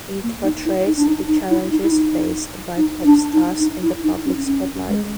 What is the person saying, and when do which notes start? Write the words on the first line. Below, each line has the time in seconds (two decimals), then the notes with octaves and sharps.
It portrays the challenges faced by pop stars in the public spotlight.
0.23 A#3
0.44 D#4
0.65 E4
0.86 D#4
0.97 D4
1.07 D#4
1.28 D#4
1.50 E4
1.71 D#4
1.83 E4
1.92 D#4
2.77 D#4
3.05 D4
3.33 D#4
3.61 D#4
3.83 E4
4.04 D#4
4.25 C#4
4.46 C#4
4.88 G#3